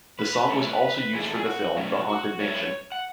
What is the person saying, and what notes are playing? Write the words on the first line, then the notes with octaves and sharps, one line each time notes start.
The song was also used for the film, The Haunted Mansion.
B4
B4
B2 A3 C#4 E4 A4
C#5
B4
B4
B4
E2 D3 A3 G#4
A4
G#4
F#4
B2 F#3 A3 C#4 E4
F#4
F#2 D3 A3 E4 C#5
F#5